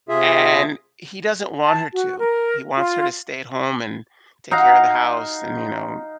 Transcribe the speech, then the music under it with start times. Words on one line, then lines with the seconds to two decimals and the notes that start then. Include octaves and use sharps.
And he doesn't want her to. He wants her to stay at home and take care of the house and, you know,
0.09 C3 F4 G#4 E5
1.65 A5
1.93 F#4
2.18 A#4
2.77 F4
4.51 D#4 F5 F#5 A#5